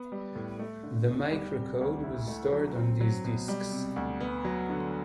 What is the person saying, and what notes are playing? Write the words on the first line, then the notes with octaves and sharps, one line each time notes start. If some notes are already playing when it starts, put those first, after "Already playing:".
The microcode was stored on these disks.
Already playing: B3
G3
A2
A3
D3
E2
G3
C3
D2
E4
A3
F#3
C4
F#3
B2
G3
C3
D2
B3
F#3
D3